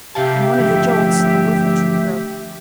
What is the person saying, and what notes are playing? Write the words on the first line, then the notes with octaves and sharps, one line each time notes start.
In one of the jolts, the whiffle-tree broke.
C3 G4 E5 F5 A5
D3 F3 A3